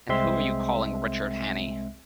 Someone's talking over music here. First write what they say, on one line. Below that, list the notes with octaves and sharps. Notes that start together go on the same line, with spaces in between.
And who are you calling Richard Hannay?
C2 G#3 C4 E5 C6